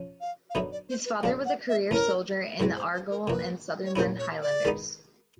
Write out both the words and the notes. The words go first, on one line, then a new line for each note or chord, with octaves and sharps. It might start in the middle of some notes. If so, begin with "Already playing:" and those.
His father was a career soldier in the Argyll and Sutherland Highlanders.
Already playing: F3 C#4
F5
F5
D3 F#3 B3 D#4 E5
D5
C5
B4
F#3 A3 D4 F5
F#5
E5
E3 A3 C#4 A#4
A2 E3 G#3 C4 B4
C5
C5
A#4
D3 F3 A#3 B4
C#5
A#2 G3 A#3 C#4 E4 C5
C#5
D5
D#3 G#3 B3 D#4